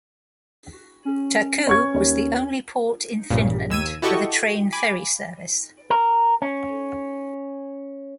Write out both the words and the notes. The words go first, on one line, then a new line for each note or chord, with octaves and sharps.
Turku was the only port in Finland with a train ferry service.
C#4
C#5 C#6 G#6
D#2 C#5
A#1 G2 A#2 C#3
D#2 E6 G#6 D#7
E4 F#4 G4 A4 D#5 C#6
G#5 B5 D6
A#4
C#4